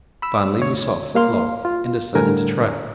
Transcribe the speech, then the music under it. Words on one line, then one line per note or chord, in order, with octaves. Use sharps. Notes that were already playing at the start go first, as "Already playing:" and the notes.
Finally we saw a foot-log, and decided to try it.
B5 E6
D2 C#5
A#3 F5 C6
F4
A2 D3 G3 A#4 G#5